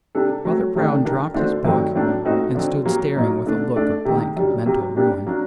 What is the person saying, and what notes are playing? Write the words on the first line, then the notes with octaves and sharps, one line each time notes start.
Father Brown dropped his book and stood staring with a look of blank mental ruin.
C3 G3 D4 A4
F#3 A3 C4 F#4
C3 D#3 A3 D4
D3 G3 D4 G4 A#4
D3 A3 D4 F#4 C5
G2 D#3 F#3 A3 C4
A2 F#3 A#3 D4 A4
A#2 A3 C4 D#4 F#4
D3 F#3 C4
C3 F#3 A#3
A#2 F#3 A#3 D#4
D3 A3 D4
A3 D4 A4 D5
C3 D#3 A3
F#2 D3 G3
C3 F#3 A#3
G3 A#3 D4 G4
F#3 A#3 D4